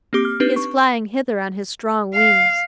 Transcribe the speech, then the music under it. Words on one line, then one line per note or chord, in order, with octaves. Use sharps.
"He is flying hither on his strong wings."
A#3 C4 G4 D6
F6
C4 D4 D#4 G4 B4
C#6
F5